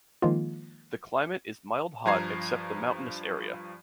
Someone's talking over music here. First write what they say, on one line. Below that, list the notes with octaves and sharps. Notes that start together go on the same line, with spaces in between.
The climate is mild-hot except the mountainous area.
D#3 F3 G#3 A#3 F4
G2 F3 A#5 G#6 C7